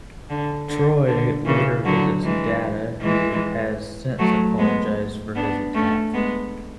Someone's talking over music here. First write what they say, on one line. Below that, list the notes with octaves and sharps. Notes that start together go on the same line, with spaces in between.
Troi later visits Data, who has since apologized for his attack.
D3
D3
D3
C#3 E3
D3 F#3
E3 G#3
E3 G#3
F#3 A3
G#3 B3
B3 D4
A3 C#4
G#3 B3